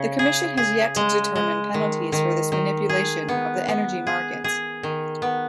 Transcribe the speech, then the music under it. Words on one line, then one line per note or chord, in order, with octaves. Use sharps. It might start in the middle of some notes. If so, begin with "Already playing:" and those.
The commission has yet to determine penalties for this manipulation of the energy markets.
Already playing: C#3
G#4
G#4
G#3
G#3
D#3
D#3
D#3
G#4
B3
B3
G#4
G#4
D#3
B3